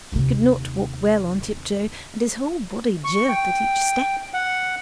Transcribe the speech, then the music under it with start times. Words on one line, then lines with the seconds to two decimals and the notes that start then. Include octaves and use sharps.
He could not walk well on tiptoe and his whole body jerked at each step.
0.12 D#2 C3
3.04 C#6
3.29 G5
4.33 F#5